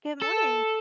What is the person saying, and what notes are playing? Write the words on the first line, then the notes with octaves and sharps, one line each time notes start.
Good morning.
A4